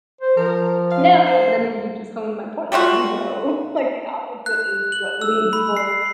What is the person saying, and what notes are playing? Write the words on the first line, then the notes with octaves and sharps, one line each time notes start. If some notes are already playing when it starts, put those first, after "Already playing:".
No, no, but I mean you just honed my point, like, we know, like, the opposite is what leads for
C5
F3 A#4
F5
C5
G3 A3 F4 F#4
F#6
F#7
E6
B5
C7